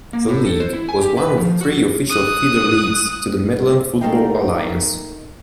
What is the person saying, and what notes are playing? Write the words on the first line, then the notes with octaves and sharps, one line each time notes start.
The league was one of three official feeder leagues to the Midland Football Alliance.
A#3
A2
A4
C5
E4
G#5
G4
B4
F3
F#4
D#6 F#6
A3 A#3 D#4 A#4 F5 G5